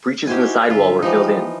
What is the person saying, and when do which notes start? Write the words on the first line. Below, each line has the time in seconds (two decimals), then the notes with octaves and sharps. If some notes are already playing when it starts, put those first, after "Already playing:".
Breaches in the side wall were filled in.
0.27 D#4 E4 F#4 G4 C5 G#5
0.70 G2 D3 F4 E5
1.02 E3 F3 G#3 D#4 F4 G4